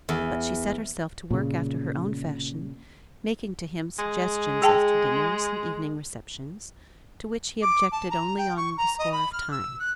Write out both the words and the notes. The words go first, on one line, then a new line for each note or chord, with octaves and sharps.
But she set herself to work after her own fashion, making to him suggestions as to dinners and evening receptions, to which he objected only on the score of time.
E2
A#2 C#3
G#3
G#4 G5 A5
D6
A5
A#5
G5
C#6
A#5
D#5
B5
F6
E6
F#6